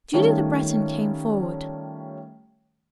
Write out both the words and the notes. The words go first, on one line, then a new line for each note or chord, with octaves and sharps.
Julie Le Breton came forward.
D#3 G3 A3 C#4 F4